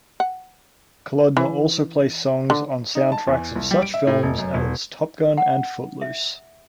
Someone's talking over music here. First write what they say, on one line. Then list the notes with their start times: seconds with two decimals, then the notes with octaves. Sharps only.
Kalodner also placed songs on soundtracks of such films as "Top Gun" and "Footloose".
0.20 F#5
1.37 E3
2.50 D3
2.95 D#4
3.12 A5
3.27 E2
3.56 C2
3.71 G3
3.82 D7
3.94 E5
4.07 A2
4.23 F1
4.38 F#2
4.54 E1
5.38 F#5
6.02 E5